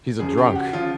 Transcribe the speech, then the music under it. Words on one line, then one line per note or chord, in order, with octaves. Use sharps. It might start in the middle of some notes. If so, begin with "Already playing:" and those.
He's a drunk.
C#2 C#3 F3 G#4
G4
F#4
C#3 F3 F4